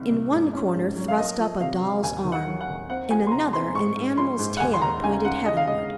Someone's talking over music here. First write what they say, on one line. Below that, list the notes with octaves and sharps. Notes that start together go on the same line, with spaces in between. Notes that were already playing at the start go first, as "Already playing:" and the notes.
In one corner thrust up a doll's arm; in another, an animal's tail pointed heavenward.
Already playing: C2 C3 D#3
C2
G#2
C#4
G#2
F#3
F5
A#3 D#5
F3
C3 F5
C3
D#2 G#5
D#3
F#5
F#3
F#5
D#2
C4 F#5
F3 G#5
C6
C3 A#5
C4 C6
G#2 C#6
G#2
F3 C6
G#2
F#5
D#2 G#5
C6
D#2 A#5
C#3 G#5
C#3 F#5
C#3 D#5
F5
G#3 D#5